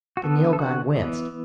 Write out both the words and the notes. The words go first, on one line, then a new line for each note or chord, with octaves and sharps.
The Nilghai winced.
F#4
D3 B3 A4
A4
F#4
E3 B3